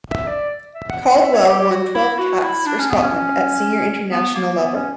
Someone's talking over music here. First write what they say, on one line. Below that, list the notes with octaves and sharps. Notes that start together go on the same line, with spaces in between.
Caldwell won twelve caps for Scotland at senior international level.
E5
D5
E5
F#5
F#5
E5
C#5
G4
G4
F#4
E4
F#4
E4
D4
C#4
B3
C#4
B3
A#3
B3
C#4